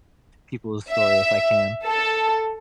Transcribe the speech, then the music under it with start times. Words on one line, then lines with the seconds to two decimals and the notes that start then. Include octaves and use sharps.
people's story if I can.
0.92 E5
1.86 A4